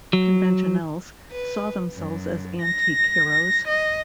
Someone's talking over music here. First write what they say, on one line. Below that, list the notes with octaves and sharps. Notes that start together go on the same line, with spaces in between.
"Conventionels" saw themselves as antique heroes.
F#3
B4
F#2
A#6
D#5